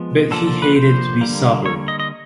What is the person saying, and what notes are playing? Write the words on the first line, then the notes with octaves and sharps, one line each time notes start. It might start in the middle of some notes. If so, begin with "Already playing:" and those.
But he hated to be sober.
Already playing: F3 G#3 B3
D3 F3 A#3 A4
A4
B4
C5
D3 G3 A#3
C#5
D#5
D#5